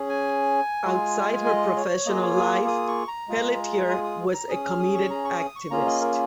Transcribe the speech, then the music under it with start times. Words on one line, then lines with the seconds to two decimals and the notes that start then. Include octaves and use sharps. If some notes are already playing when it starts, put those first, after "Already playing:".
Outside her professional life, Pelletier was a committed activist.
Already playing: C#4 G#4
0.09 G#5
0.85 G#3 F4 G#4
1.46 D#5
1.76 C#5
2.06 A#3 F4 G#4 D#5
2.22 C#5
2.37 D#6
2.67 D#6
2.88 C#6
3.08 A#5
3.28 G#3 F4 G#4
3.89 D#6
4.04 D#6
4.34 A#5
4.49 C#4 G#4 D#6
4.64 F6
4.80 D#6
4.95 C#6
5.10 A#5
5.25 C#6
5.40 D#6
5.56 C#6
5.71 A#3 C#4 F4 G#4 A#5
5.86 D#5
6.01 A#4